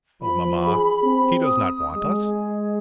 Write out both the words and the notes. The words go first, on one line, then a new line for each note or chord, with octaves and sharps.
"Oh, mamma, he does not want us."
F3 B5
G#4
C4
D#6
G#3
G#4